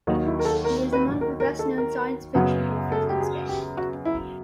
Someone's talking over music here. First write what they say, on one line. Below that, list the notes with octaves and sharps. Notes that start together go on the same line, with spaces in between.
He is among the best-known science fiction authors in Spain.
D#2 D#3 F#3 D#4
E4
A#4
A4
A#4
B4
A#4
A#4
A4
A#4
F#2 C#3 F#3 B3
A4
G4
G#4
G4
F#4
E4